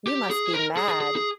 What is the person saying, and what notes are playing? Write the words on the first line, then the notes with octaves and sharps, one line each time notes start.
You must be mad.
G4
G#4
A#4
G#4
G#4
G#4
G#4